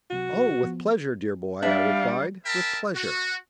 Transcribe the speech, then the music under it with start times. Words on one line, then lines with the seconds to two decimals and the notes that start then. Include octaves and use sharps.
"Oh, with pleasure, dear boy," I replied, "with pleasure."
0.10 C#2 C3 F#3 F#4
0.63 F3 B3
1.62 G3 D4 E5 F5
2.45 A#4 E5 G5 A5 B5
2.95 F#4